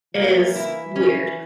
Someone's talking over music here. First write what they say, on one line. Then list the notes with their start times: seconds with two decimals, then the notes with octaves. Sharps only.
is weird,
0.14 E3 A#3
0.56 E4
0.95 E3 C#4